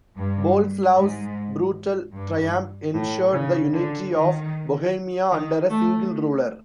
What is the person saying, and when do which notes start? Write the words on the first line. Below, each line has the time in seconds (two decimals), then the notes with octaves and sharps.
Boleslaus's brutal triumph ensured the unity of Bohemia under a single ruler.
0.16 G2
0.95 G#2
2.14 G2
2.94 A2
3.33 C#3
3.73 D3
4.12 D#3
5.30 D#3
5.70 A3